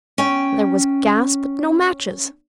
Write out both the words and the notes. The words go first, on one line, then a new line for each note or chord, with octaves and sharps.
There was gas, but no matches.
C#4 G5